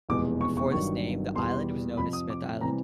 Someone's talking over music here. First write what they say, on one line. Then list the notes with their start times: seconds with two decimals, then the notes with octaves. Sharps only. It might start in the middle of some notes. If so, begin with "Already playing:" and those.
Before this name, the island was known as Smith Island.
0.09 F1 E2 B2 G#3 D6
0.41 C#6
0.57 C#6
0.72 G1 G2 D#3 F#3 C#6
1.35 E2 B2 G3 C6
1.97 F2 C3 F3 B5
2.13 D#6
2.30 D6
2.61 C3 E3 G3 C4 A#5